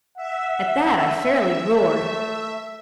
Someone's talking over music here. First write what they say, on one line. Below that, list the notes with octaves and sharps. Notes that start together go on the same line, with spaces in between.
At that I fairly roared.
E5 F#5
A3